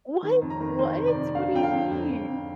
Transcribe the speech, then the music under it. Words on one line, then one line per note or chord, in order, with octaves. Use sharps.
What? What? What do you mean?
D#3
F2
A#5
D#3
D#3 C5
C3
D5
F2
D3 F5
F2 G5
F5
F2
F2
F2
F2